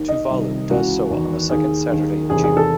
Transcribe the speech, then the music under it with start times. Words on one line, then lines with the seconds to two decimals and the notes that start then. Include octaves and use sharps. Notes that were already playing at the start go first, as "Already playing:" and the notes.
Tuvalu does so on the second Saturday of June.
Already playing: D#2 D#3
0.08 D#5
0.29 C2 C3 D#3
0.69 C#2 C#3 E3 F#4
1.10 E2 D#3
1.49 D#2 D#3 G#4
1.90 D#2 D#3
2.30 E2 C3 D#3 G#4
2.44 G#4
2.57 A4